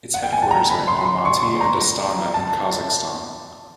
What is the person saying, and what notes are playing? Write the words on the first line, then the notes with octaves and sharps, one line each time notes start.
Its headquarters are in Almaty and Astana in Kazakhstan.
F#5
G5
G#5
A5
A#5
B5
C6
C6
C#6
C6
A#5
A5
A5